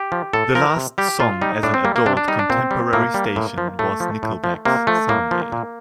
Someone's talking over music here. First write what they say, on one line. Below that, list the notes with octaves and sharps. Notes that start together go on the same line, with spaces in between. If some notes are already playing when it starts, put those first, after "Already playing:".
The last song as an adult contemporary station was Nickelback's "Someday".
Already playing: G4
F3
A2 A4
F3 A#4
C3
G3 G4
A#2 F4
G3 D#4
A2 D4
C4
G3 A#3
A#3
C3 D4
D4
G3 D#4
D4
A#2 C4
G3
A2 A#3
G3
A2
F3
A2 A3
F3
A2
F3
C3 A#3
F3 A3
A2 A#3
F3
A#2